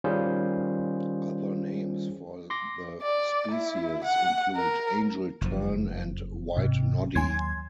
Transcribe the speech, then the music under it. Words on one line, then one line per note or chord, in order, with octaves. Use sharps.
Other names for the species include angel tern and white noddy.
D#3 G3 C#4 F4 G#4 C5
C6 D6 A#6
D5
E4
F#5
A#4
F#1 F2 F3
G#2 C3
D#2 F#3 G#5 C6 G#6